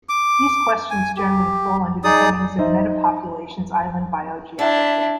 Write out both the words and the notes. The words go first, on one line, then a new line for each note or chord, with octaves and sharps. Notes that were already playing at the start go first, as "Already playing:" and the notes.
These questions generally fall under the headings of metapopulations island biogeography.
D6
G#5
G4
D#4 G#4 D5 D#6
D#4 C5 D#5 E5 A#5
D4 E4 E5